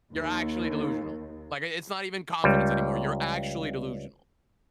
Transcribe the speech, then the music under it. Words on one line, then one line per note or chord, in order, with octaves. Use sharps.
You're actually delusional. Like, i it's not even confidence anymore. You're actually delusional."
D#2
C#2 G3